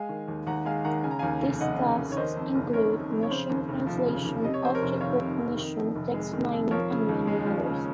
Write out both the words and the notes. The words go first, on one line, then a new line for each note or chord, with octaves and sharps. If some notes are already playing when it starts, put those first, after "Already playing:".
These tasks include machine translation, object recognition, text mining and many others.
Already playing: G#3 F5 G#5
D#3
D#2
D#2 F#5 A#5
G#3 F5 G#5
D#3 F#5 A#5
C#3 G#5
A#5
D#2 F5 G#5
F1
F1 D#5 F#5
C#3
D#2
C#5
D#3 C5 D#5
F2
F#1
F#1 A#4 C#5
D#3
F2
C#5
C#3 C5
D#2
F1
F3
C#3
D#2
C3 D#5
C#5
F2 C5
A#4 C#5
F1
D#3 C#5 F5
C3
F2
D#3
F2
F1
G#3
D#3
F2
F3 A#4 C#5
C#3
D#2
G#3
F3
C#3